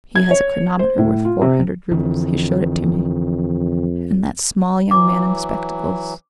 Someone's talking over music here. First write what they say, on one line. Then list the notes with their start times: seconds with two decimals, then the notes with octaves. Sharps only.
"He has a chronometer worth four hundred roubles; he showed it to me." And that small young man in spectacles....
0.15 G#6
0.31 C#5
0.79 C5
0.98 A2
1.25 F4
1.41 C3
1.91 F2 D3 E3
4.91 E3 F#3 D6